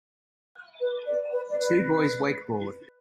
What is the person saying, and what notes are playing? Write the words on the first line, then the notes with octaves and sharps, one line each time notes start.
Two boys wakeboard.
B4
D5
B4
D5
B4